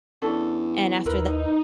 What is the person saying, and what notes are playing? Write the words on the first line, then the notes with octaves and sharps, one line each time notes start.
and after
E2 C#4 D4 A4
D#2 D#4 E4 A#4 B4